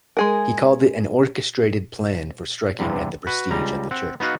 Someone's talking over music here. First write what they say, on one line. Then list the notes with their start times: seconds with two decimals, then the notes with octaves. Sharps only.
He called it an orchestrated plan for striking at the prestige of the Church.
0.17 G#3 G#4 A#4
2.79 E2 G2 C3
3.27 F#4 B4
3.51 C#2 G3 A#5
3.91 C4 F#5
4.20 B3 D#4 F#4 F5 F#5